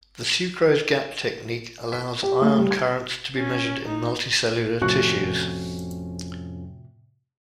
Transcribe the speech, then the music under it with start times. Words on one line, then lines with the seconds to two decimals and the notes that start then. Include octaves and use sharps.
The sucrose gap technique allows ion currents to be measured in multicellular tissues.
1.92 B6
2.23 G4
2.42 A3
2.57 G3
2.71 G#6
3.37 C#4
3.85 D#4
4.82 F2 A2 C3 F3 C#4 F#4